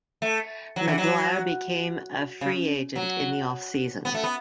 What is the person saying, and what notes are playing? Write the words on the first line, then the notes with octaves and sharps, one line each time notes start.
Magloire became a free agent in the off-season.
A3
F#3
E3
F#3
C#3
F#3
B3
A3
B3